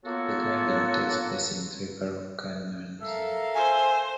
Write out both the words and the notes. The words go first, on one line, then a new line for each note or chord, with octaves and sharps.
The climbing takes place in three parallel canyons.
A#3 B3 F4 F#4 A4 C#5
A4 A#4 E5 F5
C5 G#5